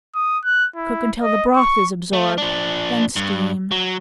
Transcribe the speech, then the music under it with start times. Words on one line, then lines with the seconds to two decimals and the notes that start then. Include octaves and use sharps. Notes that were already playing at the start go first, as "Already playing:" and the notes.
Cook until the broth is absorbed, then steam.
0.15 D#6
0.45 F#6
0.76 E4
1.23 D#5
1.56 C#6
2.13 A3
2.38 F3 D4
3.16 G2
3.71 F#3